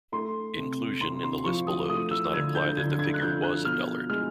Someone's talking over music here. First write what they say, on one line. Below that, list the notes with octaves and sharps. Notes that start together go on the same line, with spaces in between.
Inclusion in the list below does not imply that the figure "was" a dullard.
A3 C6
C3
C3 C6
C6
F3 C#6
D#6
A3 D#6
E6
D3 G#6
G6
D3 G#6
G#6
F#6
F3 G6
F#6
B2 F6
G#3 F6